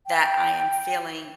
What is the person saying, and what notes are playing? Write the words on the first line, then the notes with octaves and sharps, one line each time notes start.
that I am feeling
G5